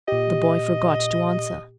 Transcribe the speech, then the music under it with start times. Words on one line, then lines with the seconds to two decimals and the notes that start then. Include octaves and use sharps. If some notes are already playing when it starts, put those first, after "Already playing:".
The boy forgot to answer.
0.08 A#2 G4 D#5